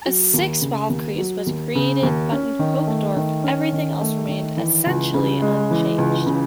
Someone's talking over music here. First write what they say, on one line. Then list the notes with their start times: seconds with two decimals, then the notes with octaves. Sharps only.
A sixth Wahlkreis was created, but in Hochdorf everything else remained essentially unchanged.
0.06 F#3
0.34 D#2
0.61 C#3
0.89 D#2
1.18 F#3
1.46 D#2
1.75 C#3
2.03 D#2
2.32 C#4
2.59 D#3
2.87 A3
3.16 D#3
3.44 C#4
3.72 D#3
4.01 A3
4.28 D#3
4.57 E3
4.86 C#2
5.14 C#3
5.42 G#3
5.71 E3
5.98 C#2
6.26 C#3